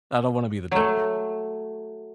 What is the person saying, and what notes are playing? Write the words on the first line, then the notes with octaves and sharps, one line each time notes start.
I don't wanna be the duck.
F#3 A3